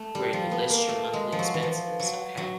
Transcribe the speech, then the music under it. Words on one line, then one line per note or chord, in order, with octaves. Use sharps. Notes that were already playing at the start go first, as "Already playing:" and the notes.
where you list your monthly expenses? Okay.
Already playing: A3
G3
F3
B3
A#3
A3
G#3
F3
F#3
E3
F3
F#3
F#3